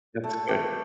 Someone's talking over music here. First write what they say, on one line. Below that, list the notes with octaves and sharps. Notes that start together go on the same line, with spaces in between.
That's good.
A3 A4
A3 G4